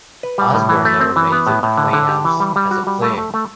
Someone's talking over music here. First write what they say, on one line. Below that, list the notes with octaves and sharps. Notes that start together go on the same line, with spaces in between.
Osborne never made the playoffs as a player.
B4
G3
A2
E3
A3
C4
E3
B3
A2
A2
D3
D3
G4
E3
G3
G3
F#4
G3
A3
A3
A3